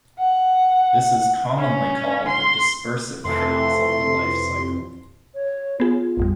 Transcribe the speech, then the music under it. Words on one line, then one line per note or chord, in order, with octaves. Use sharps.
This is commonly called the dispersive phase of the life cycle.
F#5
C#4
C6
F2 C3 E3 A3 C6
C#5
B3 F4 G#4
A1 F2 G3